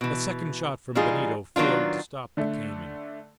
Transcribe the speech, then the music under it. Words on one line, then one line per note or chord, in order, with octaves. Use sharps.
A second shot from Benito failed to stop the cayman.
B2 E3
E3 G3 D#4 F4 G#4
D#3 F#3 B3 D4 F4
D3 A3